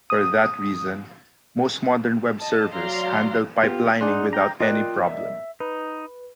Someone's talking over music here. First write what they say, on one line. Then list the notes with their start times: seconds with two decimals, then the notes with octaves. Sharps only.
For that reason, most modern web servers handle pipelining without any problem.
0.10 D#6
2.39 D#5 A5
2.73 F#3 D5 F5 A#5 C6
3.63 B3 F4 G4
4.01 D4 D#4 G#4 D5 F#5 C6
4.33 G5 A#5
4.60 F4 A#4 D5 D#5 G5 F#6
5.04 E5
5.60 D#4 B4